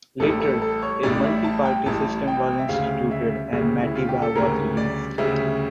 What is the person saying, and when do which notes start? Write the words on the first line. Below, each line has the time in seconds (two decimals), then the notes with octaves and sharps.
Later, a multiparty system was instituted and Matiba was released.
0.20 A1 A2 G3 A4
0.40 A4
0.62 A4
0.82 C#5
1.03 A1 A2 G3 D5
1.24 E5
1.44 A5
1.65 G5
1.86 A1 A2 G3 A5
2.28 G5
2.59 E5
2.69 D2 C#3 G3 F5
3.11 E5
3.52 D2 C#3 G3
3.82 E4
3.95 F4
4.09 G4
4.22 A4
4.35 D2 C#3 G3 A#4
4.77 D5
5.18 D2 C#3 G3 E5